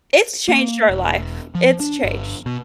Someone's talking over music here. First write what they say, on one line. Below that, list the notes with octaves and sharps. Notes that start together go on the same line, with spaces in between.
It's changed our life, it's changed
A#3
E1
F3
D4
G1
B2